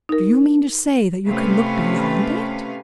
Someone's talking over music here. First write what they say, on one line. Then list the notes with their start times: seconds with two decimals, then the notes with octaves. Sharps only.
"Do you mean to say that you can look beyond it?"
0.09 D#4 A#4
1.28 C3 A3 C#4 B4 F5